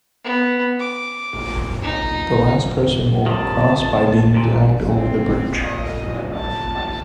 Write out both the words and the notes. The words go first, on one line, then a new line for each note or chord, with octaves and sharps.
The last person will cross by being dragged over the bridge.
B3
D6
D#4
C3 D#3 A5
D#2 A#2
C4
D#5
A5